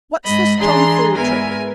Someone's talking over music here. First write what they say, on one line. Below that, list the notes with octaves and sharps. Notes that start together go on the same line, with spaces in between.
What's this tomfool trick?
G#2 G#3 D#5 B5
E3 D4 G#4 A#5 C6
G#2 B3 E4 A#4 B4 G#5